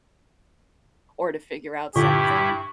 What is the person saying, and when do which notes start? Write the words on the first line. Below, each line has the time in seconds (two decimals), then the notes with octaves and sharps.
or to figure out something,
1.96 G2 A#2 D3 E4 G4 E5 C#6